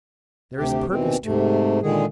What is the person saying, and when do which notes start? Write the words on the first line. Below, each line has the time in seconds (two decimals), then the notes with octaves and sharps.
There is a purpose to it.
0.57 D2 C3 G4
0.89 D#2 B2 E3 C4
1.24 G#2 C3 A3
1.82 A#2 D3 D#3 G#3 G#4